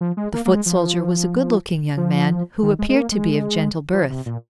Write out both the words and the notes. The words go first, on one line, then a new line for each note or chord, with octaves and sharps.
The foot soldier was a good-looking young man, who appeared to be of gentle birth.
F3
G#3
A#3
A#3
G#3
F3
F3
D#3
G#3
G#3
A#3
G#3
F3
C3
A#2